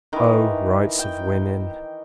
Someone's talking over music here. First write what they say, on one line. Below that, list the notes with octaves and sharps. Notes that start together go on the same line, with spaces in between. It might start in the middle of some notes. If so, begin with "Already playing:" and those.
Oh, rights of women!
D#3 E3
G5